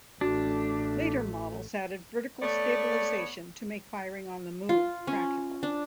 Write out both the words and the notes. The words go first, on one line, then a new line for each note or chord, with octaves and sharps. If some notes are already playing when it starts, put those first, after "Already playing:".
Later models added vertical stabilization to make firing on the move practical.
A1 A3 D4 F#4
A3 B3 C#5 D5
F4
C#4
D4